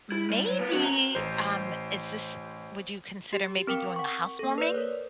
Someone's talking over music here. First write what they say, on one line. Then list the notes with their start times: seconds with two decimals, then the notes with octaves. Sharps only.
maybe, um is this would you consider maybe doing a housewarming,
0.12 E4
0.30 G3
0.46 F#3
0.59 A#3 B4
0.72 C4 F#4
0.86 A#5
1.15 A1 C5
3.33 G4
3.67 C4 A#4 G5 D6 C#7
3.96 F#5 C#6
4.39 A#3 A4
4.58 B4 C5 D5
4.74 A#4 C#5